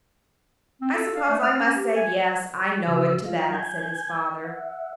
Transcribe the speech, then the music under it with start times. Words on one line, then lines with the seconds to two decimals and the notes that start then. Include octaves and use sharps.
"I suppose I must say 'yes, I know it' to that," said his father.
0.81 C4
0.95 A4
1.15 F5
1.29 A3
1.43 F6
1.58 C#4
1.76 G4
1.96 G#5
2.87 C#3 F3 F#4 E6
3.26 F#3 F4 F5
3.52 G#5 G6 G#6
4.44 E5 F#5